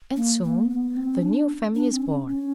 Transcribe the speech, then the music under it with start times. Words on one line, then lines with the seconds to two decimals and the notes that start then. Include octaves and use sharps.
And soon the new family is born.
0.17 A#3
0.43 A#3
0.70 B3
0.97 C4
1.17 C#4
1.22 D4
1.75 D4
1.90 C4
2.02 C#4
2.28 C#4